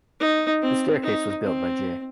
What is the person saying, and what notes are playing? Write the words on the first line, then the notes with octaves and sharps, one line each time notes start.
The staircase was built by J.
D#4
C4
D#4
C4